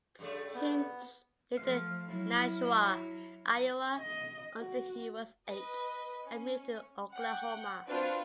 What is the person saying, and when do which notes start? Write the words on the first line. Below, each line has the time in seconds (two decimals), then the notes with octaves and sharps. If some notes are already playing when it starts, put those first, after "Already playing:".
Hinch lived in Nashua, Iowa, until he was eight and moved to Oklahoma.
0.19 G2 C#3 A3
0.55 B3
1.57 F3 A3 F5
2.05 F#3 E4
3.99 D#5
4.60 F#4
5.49 B4 D#5
6.24 C#4
7.12 F#5 G5
7.85 C4 D4 F4 F#4 B4 C5